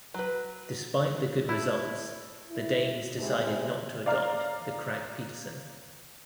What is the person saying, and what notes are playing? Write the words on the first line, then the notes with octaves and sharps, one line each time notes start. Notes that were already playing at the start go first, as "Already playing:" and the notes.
Despite the good results, the Danes decided not to adopt the Krag-Petersson.
F#3 B4
A3 E4
E4
C3 G#3 D#4 E4
D5 F5 A#5 F6